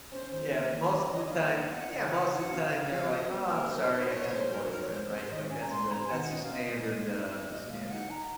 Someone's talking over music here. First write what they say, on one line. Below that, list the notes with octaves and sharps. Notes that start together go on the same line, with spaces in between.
Yeah, most of the time Yeah, most of the time, they're like, "Aw, I'm sorry, I have a boyfriend," right, like, that's the that's the standard, uh the standard
C#4 C5
D#3 C5
A#3 A#4
D#3 C5
C5
C#4 C#5
D#3 D#5
D#5
A#3 F5
D#3
F5
C4 F#5
C#3 F#5
F5
F3 F#5
F#4 F#5
C4 F5
C#3
F3 F5
F#4 D#5
A#3 C5
C5
C3 A#4
F#3 C5
D#4 C5
A#3 C#5
C3 C5
F#3 A#4
C5
D#4 A#4
C#5
G#3 C5
C3 C5
D#3 D#5
C#4 G#5
A#5
G#3 C6
C3 A#5
G#5
D#3 F#5
C#4 D#5
F5
C4 D#5
A#2
G#3
D#4
C4
A#2 D#5
G#3 F5
F5
D#4 F#5
D#4 A#5